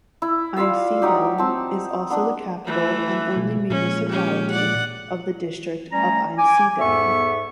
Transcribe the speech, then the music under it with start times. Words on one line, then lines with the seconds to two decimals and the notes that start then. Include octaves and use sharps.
Einsiedeln is also the capital and only municipality of the District of Einsiedeln.
0.22 E4
0.57 G3 F4 F5 E6
1.02 F#3 D#4 G4
1.38 C4 A5
2.10 B3 D4
2.65 E3 A3
3.36 B2 F3 A3
3.70 A#2 F3 G#3 C#4
4.09 C#4 G4
4.51 D5 F#5
5.92 G3 A3 C#4 A#5
6.37 G#5 D6
6.79 E2 G#2 B3 A4 E5 C#6